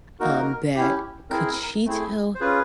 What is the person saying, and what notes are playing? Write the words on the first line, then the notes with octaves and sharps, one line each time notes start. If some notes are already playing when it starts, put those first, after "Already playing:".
um, that could she tell h
A#3 D#4 F#4 A#4
C#4 E4 G4
C4 E4 G#4 A#4
A3 C4 E4 G#4
C5
C#4 F4 G#4 B4